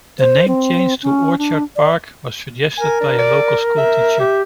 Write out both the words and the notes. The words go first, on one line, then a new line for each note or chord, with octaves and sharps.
The name change to "Orchard Park" was suggested by a local schoolteacher.
C5
C4
C#4
D4
D5
A#4 G#5
D4
D5
E5
G4